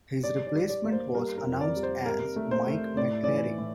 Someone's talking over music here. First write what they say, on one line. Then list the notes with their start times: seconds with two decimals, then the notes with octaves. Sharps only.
His replacement was announced as Mike McCleary.
0.23 G3 D5
0.47 D5
0.54 G3
0.69 D5
0.84 A#3
0.92 C5
1.15 G3 A#4
1.38 A#4
1.45 F2
1.60 D5
1.76 G3
1.83 C5
2.06 C3 A#4
2.36 A3
2.51 C5
2.67 A3
2.97 A2 D5
3.24 E3 D5
3.58 A2